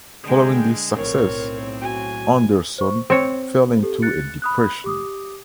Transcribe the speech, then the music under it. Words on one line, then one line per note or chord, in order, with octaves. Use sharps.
Following this success, Andersson fell into a depression.
D3 G#3 G#4 G5
B1 A2 C4 A#4 C#5
F#4 G#5
C5 C#6
C4 C5 C#5
G4 A4
F#6 A6 C#7
B5 D#6 F#6
G4 D6 D#6